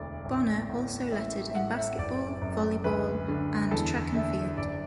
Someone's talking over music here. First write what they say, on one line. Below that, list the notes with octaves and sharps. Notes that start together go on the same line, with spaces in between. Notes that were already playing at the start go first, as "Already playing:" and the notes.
Bonner also lettered in basketball, volleyball, and track and field.
Already playing: E1 D2 D5
A1
A2
A1 E5
E5
E5
A2 F#5
E5
F#1 D5
F#2
D2 B4
D3
E2 A4
D3 E5
F#1 D5